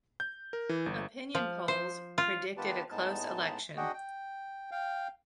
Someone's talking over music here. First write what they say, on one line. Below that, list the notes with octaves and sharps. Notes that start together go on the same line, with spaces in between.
Opinion polls predicted a close election.
G6
A#4
E3
G1
F3
C5
F4
D#3 B3 F4 G4 B4 A5
A2 G#3 B3 D#4 A5
D4 F#4 G#4 D#5 F#5 G5
G5
F5 G5